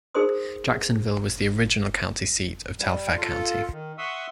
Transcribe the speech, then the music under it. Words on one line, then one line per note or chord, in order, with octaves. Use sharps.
Jacksonville was the original county seat of Telfair County.
D#4 G#4 A#4 C5 C6 D#6
G3
F4 A4
D#3
E5 F#5 C6 C#6 D#6 E6